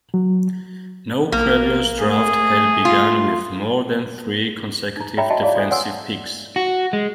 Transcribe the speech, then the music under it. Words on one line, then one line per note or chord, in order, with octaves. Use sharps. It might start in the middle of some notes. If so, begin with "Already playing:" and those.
No previous draft had begun with more than three consecutive defensive picks.
F#3
A#1 A#3
A3 G#4
F4
D#4 A#5
F#4 C#5 E5 G5 A#5 B5
F#4 D#5 E5 G5 A5
E4 F4 G#4 C#5 D5 F5
F#4 A4 C5 G#5
B4 C#5 F#5 G#5 C6 E6
F#4
G#3